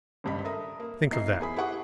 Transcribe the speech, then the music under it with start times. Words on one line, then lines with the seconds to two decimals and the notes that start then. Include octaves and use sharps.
Think of that!
0.24 G#1 C#2 G2 D#5 B5
0.44 A4 A#4 E5 A#5 D#6
0.80 A#3
1.11 B1 D#4 E4 A#5 C7
1.40 E2 E4 G#4 B5
1.56 E4 G4 G#4 F#5 C#6 D#6